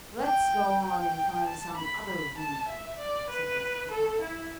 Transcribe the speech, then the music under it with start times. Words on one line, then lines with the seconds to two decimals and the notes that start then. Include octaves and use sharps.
"Let's go on and find some other Woozy," suggested the cat.
0.23 G5
0.84 G5
1.46 A5
1.76 B5
2.07 B5
2.38 A5
2.68 E5
2.99 D5
3.30 B4
3.91 A4
4.21 E4